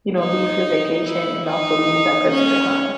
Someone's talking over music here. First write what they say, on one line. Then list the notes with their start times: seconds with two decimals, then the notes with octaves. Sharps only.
you know, leave your vacation and also leave that person behind.
0.20 D#4
1.04 E4
1.47 D#4
2.31 C#4